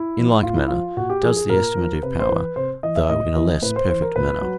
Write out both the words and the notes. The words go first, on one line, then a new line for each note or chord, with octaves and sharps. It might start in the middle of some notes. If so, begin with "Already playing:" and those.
In like manner does the estimative power, though in a less perfect manner.
Already playing: E4
F3
A2 F4
E4
F3 F4
A#2 F#4
G4
F3 G#4
G#4
A#2 A#4
F3
C3 B4
C5
E3 B4
C3 C5
E3 D#5
E5
A2 D#5
E3
A2 B4
C5
E3 C5
A#4
A#2 B4
F#3